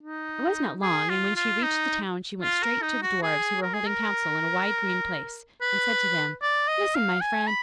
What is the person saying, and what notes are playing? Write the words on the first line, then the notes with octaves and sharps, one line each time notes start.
It was not long, and when she reached the town she went straight to the dwarfs, who were holding counsel in a wide green place, and said to them, 'Listen, my friends!
D#4
G#4
F4
F4
D#4
F4
A#4
D#4
F#4
G#4
A#4
G#4
A#4
B4
D5
D#5
F5
G#5
B5